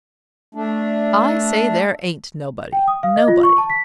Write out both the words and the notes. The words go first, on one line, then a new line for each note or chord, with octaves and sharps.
I say there ain't nobody;--nobody.
A3 D4
G5
D#6
F5
D#5
F4
C#6
A5
B6